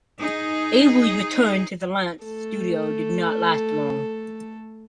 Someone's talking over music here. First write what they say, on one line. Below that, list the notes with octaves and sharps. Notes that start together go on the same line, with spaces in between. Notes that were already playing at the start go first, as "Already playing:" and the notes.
Avery's return to the Lantz studio did not last long.
D#4 G#4
A3 A4